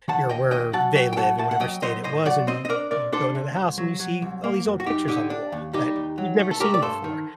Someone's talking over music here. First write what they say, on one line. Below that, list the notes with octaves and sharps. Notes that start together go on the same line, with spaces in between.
you're where they live, and whatever state it was, and you go into the house, and you see all these old pictures on the wall that you've never seen before,
D#3 F#5 A5
D#2 D#5 G5
D#2 D#5 G5
F#3 F#5 A5
F#3 D#5 G5
G5
F#3 F#5 A5
A3 F#5 A5
F#5
F#3 D#5 G5
F#3 C5 D#5
A2 C5 D#5
F#3 D5 F#5
C4 C5 D#5
D#5
D4 A#4 D5
C3 A#4 D5
D4 A4 C5
C3
C2
F#3
F#3
C2
A#3
F#2
F#4
F#2 D#4 G4
D3 D#4 G4
D4
D#2
G3 D#4 G4
D#2
F#3
A3
A4
A3 G4 A#4
D5
G2 A4 C5
D#3